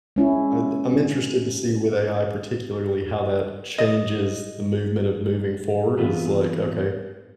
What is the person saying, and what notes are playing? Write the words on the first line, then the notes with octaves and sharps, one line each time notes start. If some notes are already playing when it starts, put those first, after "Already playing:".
I'm b I'm interested to see with AI, particularly, how that changes the movement of moving forward is like, okay
G#3 C#4 E4
D#5
E3 B3 C4 F4 G#4 B4